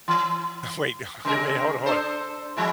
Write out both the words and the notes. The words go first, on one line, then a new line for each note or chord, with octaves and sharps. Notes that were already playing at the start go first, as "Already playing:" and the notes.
Wait. Okay, wait, hold on hold on,
E3
C#3 G#3 A#4
D4 A4 C5
F3 G#3 E4